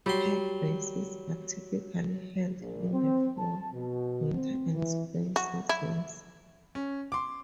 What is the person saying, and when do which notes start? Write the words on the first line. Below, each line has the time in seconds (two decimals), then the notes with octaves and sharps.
Head races are typically held in the fall, winter and spring seasons.
0.06 F#3 G3 C6
2.60 A#1
2.93 C4
3.38 A5
3.73 B2
4.34 C4
4.73 E3
5.36 F#4
5.69 E4
6.75 C#4
7.12 C6 D6